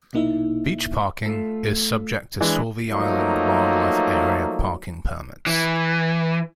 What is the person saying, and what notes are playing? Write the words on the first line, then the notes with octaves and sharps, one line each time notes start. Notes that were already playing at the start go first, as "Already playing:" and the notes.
Beach parking is subject to Sauvie Island Wildlife Area parking permits.
A#1 B2 A#3 D#4 E4 E5
A3 F4 A4
E3 G#3 D4
F3 F#3 A3 A#3 D#4
E3